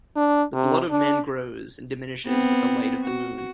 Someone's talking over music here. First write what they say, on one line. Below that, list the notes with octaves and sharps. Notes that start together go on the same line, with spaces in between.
The blood of men grows and diminishes with the light of the moon.
D4
C3
D4
B3 C4
F#4